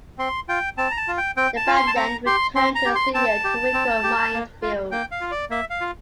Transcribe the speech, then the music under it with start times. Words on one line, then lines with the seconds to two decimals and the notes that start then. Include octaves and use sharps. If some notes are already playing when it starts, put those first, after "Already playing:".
The band then returned to the studio to record "Mindfields".
0.18 C4 C6
0.49 F4 G5
0.78 C4 A5
0.91 A#5
0.97 A5
1.08 F4
1.18 G5
1.37 C4 G5
1.57 A5
1.67 F4
1.77 C6
1.87 A5
1.96 C4 A#5
2.26 G4 C6
2.55 C4 C6
2.75 A#5
2.85 G4
2.95 C6
3.14 C4 A5
3.44 G4
3.74 C4
4.03 G4
4.33 A#3
4.62 F4
4.92 A#3 G5
5.11 F5
5.21 F4
5.31 D5
5.50 A#3 E5
5.70 F5
5.81 F4